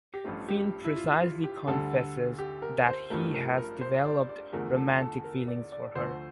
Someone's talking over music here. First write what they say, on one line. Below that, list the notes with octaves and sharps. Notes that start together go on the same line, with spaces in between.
Finn precisely confesses that he has developed romantic feelings for her.
G4
A1 G2 F3 A3 F4
G4
E4
F4
F4
G4
D2 D3 G3 A4
G4
A#4
C5
A1 G2 F3 A3 A#4
A#4
A#4
C5
D5
D5
E2 D3 F3 A3 A#4
A4
A4
A#4
D5
D5
D2 D3 F3 A3 C5